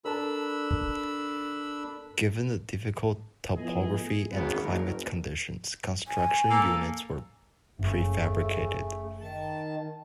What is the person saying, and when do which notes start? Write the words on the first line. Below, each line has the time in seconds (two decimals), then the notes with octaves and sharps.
Given the difficult topographic and climatic conditions, construction units were prefabricated.
0.05 D4 A4 A#4 A5 B5 E6
3.56 F3 A3 B3 E4 G#4 D#5
3.99 G#4
4.32 G#1 C#3 B3
4.63 F#1 A#4
6.08 G#5
6.50 A#3 A4
7.79 F#1 C#3 A3
9.20 D#3 A5